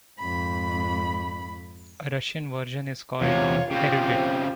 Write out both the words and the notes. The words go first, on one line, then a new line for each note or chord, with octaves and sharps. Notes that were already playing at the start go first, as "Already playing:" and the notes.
A Russian version is called "Erudit".
F2 G#2 B5
E2 C3 F4 C#5
C#3 C4 F4 G4